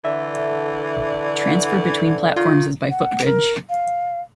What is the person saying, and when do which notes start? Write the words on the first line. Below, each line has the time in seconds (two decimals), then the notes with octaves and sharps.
Transfer between platforms is by footbridge.
0.05 D3 E3 E5
2.36 D#3 F4
2.91 F#5
3.25 A#4
3.70 F5